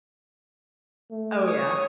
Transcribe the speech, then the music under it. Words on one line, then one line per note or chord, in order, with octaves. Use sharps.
Oh, yeah.
A3
C#5 D#6